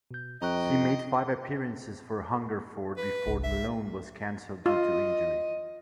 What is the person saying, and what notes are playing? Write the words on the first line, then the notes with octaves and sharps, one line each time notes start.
He made five appearances for Hungerford before the loan was cancelled due to injury.
B2 G6
F2 D#5 G5 A#5 C#6 F#6
B4
G1 C2
E5
F4 D#5